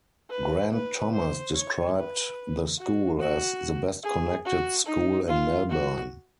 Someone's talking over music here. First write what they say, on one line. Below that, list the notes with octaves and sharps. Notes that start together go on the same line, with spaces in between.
Grant Thomas described the school as 'the best-connected school in Melbourne'.
B4
B4
C5
C#5
B4
F#4
F#4
G#4
F#4
D#4
F4
F#4